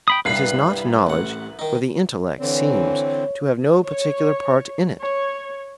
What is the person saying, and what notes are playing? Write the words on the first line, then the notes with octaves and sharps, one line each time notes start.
It is not knowledge, for the intellect seems to have no particular part in it.
G5 B5 D#6
C2 G2 B4 B5 C7
A1 F#5
D#3 D#4
D3 E3 C4 C#5
C#5
C#5